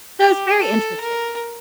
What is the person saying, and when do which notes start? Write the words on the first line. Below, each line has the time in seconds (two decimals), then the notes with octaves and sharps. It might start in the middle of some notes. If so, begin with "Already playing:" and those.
So, it's very interesting.
0.20 G4
0.60 A4
1.01 A#4